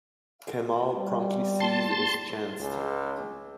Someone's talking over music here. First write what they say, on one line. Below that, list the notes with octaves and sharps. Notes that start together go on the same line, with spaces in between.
Kemal promptly seized his chance.
G3
A5 C6
C#2